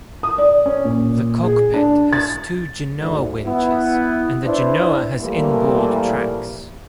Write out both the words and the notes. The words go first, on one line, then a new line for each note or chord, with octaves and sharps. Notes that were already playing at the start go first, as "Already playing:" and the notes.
The cockpit has two genoa winches and the genoa has inboard tracks.
D#6
D5
C#4
A#2
G#4
D4
A6
D2 G#2
B3 E4
D4 E4 B4 C5
A#2 E3 F3 G3 A3 A#3